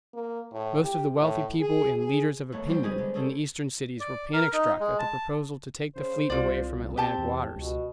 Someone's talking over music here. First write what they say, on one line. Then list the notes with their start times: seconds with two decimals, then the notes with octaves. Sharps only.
Most of the wealthy people and "leaders of opinion" in the Eastern cities were panic-struck at the proposal to take the fleet away from Atlantic waters.
0.14 A#3
0.52 A2
0.84 G4
1.21 A2
1.60 G#4
1.96 G#4
2.52 D#2 A3 B3 C#5 F#5
2.67 D3 G3 B3 C4 F#4 C5
2.83 G3 G#3 G#4 B4 D#5 G#5
2.98 D3 B3
3.14 C#4 G#4 A4 C5
4.00 D5
4.33 A#4
4.53 D#4
4.80 G#3
4.99 A5
5.96 C#3 C5
6.30 C2 F4 D5
6.97 C4 G4 A5
7.18 E2
7.56 C#2 B2